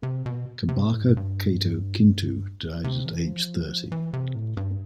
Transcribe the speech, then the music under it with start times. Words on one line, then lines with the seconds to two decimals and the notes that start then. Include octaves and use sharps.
Kabaka Kato Kintu died at age thirty.
0.03 C3
0.26 B2
0.69 C3
0.84 A2
1.01 G2
1.17 G2
2.84 C3
3.05 E3
3.27 F3
3.92 E3
4.13 C3
4.35 A2
4.57 G2